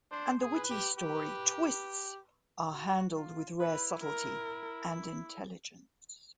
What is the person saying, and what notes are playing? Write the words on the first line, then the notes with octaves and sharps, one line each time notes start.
And the witty story twists are handled with rare subtlety and intelligence.
D4 C5
G#4
B4
G4
G4 B4
F#4
F4
E4 B4
A#4